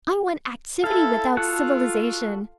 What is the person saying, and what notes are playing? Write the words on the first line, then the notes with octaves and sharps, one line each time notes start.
I want activity without civilization.
E4 A4 F5
F4 F#4 A4 F#5